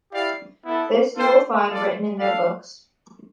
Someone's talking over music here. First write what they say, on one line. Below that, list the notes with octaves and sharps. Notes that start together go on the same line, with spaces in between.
This you will find written in their books.
E4 G4 D5 F5
B3 E4 A4
F4 A4 C5 G5
F4 A4 D5
D4 A4 D5 F5